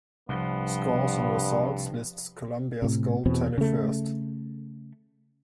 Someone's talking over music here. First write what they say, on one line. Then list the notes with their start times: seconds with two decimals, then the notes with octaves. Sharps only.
Scores and results list Colombia's goal tally first.
0.29 C2 G2 F3 B3
2.82 A2 C3
3.26 E2 B2 C4
3.58 C#3 A3